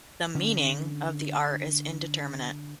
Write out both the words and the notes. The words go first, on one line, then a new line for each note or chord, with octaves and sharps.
The "meaning" of the art is indeterminate.
D3 C#4